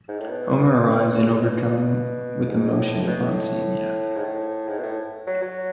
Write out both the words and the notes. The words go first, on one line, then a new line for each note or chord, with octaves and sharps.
Homer arrives and overcome with emotion upon seeing Yak.
G#2
A2
B2
C#3
B2
G#2
A2
A2
C#3
B2
A2
G#2
A2
G#2
B2
A2
F#3
F#3